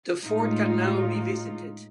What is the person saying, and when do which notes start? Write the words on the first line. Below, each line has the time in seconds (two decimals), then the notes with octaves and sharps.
The fort can now be visited.
0.25 A2 G#3 D#4 F4